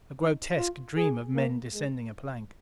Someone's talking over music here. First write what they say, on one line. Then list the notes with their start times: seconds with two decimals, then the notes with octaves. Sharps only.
A grotesque dream of men descending a plank.
0.20 D#4
0.57 F4
0.97 G#4
1.35 A#3
1.74 G#3